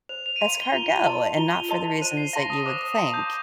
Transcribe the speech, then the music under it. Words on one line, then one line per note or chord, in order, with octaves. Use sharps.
escargot, and not for the reasons that you would think.
C5 F7
F7
D#7
F5 C6 F7
G7
F4 F7
A#4 D#5 A5 C6
F4 G7
A#4 D#5 A5 C6 F7
C5 D#7
C7
F5 A5 C6 A#6
D#6
C5 D6
D#6
F5 A5 C6 D#6
G6